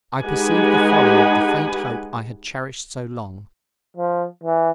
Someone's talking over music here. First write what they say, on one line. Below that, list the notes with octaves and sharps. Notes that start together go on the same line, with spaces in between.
I perceived the folly of the faint hope I had cherished so long.
G#3 D#4 G4 B4 F#5 G#5
F3
E3